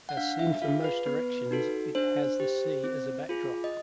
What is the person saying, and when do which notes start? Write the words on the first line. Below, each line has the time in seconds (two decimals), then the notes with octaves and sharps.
As seen from most directions it has the sea as a backdrop.
0.09 F#5
0.17 D4 F5
0.39 E5
0.62 F4 G#4 F5
0.84 B4
1.06 B3 B4
1.51 D#4 F#4 A4
1.95 D4 C5
2.40 G4
2.84 C4
3.29 F4 G#4
3.64 D#5